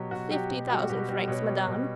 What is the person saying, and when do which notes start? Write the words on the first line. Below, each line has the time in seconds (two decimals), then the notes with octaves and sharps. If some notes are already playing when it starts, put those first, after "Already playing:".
"Fifty thousand francs, madame."
Already playing: B2 F#3 G4
0.11 B2 F#4
0.31 F#3 G4
0.50 B2 G4
0.70 G3 F#4
0.89 B2 G4
1.09 G3
1.28 B2 C#5
1.47 G3
1.67 B2